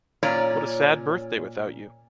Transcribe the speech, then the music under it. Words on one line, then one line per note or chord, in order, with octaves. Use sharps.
What a sad birthday without you!
A#2 C#4 C#5 D5 A#5